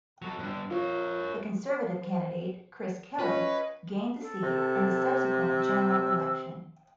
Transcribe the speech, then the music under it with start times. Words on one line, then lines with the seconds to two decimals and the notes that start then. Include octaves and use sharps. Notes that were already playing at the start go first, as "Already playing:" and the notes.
The Conservative candidate, Chris Kelly, gained the seat in the subsequent general election.
0.22 F#3 A4
0.39 G2 D3
0.71 F4 A#4 C#5
3.19 C#4 F4 B4 D#5
4.21 A4
4.43 C3
5.56 E6